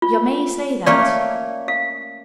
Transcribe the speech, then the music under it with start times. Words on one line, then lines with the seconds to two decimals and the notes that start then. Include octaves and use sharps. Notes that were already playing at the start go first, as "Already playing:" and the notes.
'Yo' may say that.
0.02 F4
0.86 A3 A#3 C#4 D5 F5 G5
1.68 F5